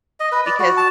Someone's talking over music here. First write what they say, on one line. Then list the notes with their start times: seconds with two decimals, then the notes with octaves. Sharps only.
because he
0.20 D#5
0.32 B4
0.46 D5
0.60 F#4
0.77 A5